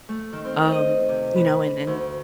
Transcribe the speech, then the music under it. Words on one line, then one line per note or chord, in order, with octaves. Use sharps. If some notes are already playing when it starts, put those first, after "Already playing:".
um, you know? And and
A3
D#3
C4
D#5
C3
B4
D2